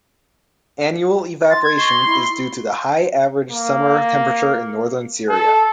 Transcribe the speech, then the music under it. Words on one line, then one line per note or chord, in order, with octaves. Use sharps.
Annual evaporation is due to the high average summer temperature in northern Syria.
C6 A6
G#6
D#5 C6 C#6
E4
A#3
A4